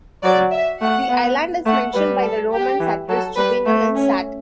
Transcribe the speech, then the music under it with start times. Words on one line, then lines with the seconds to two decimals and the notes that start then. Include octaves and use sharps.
The island is mentioned by the Roman satirist, Juvenal, in Sat.
0.24 F#3 D5
0.52 E5
0.81 A3 F#5
1.10 B3
1.66 A3 F#5
1.95 G3 B4
2.24 A4
2.52 G4
2.80 E3
3.09 F#3 A4
3.38 G3 B4
3.67 A3
3.95 C#4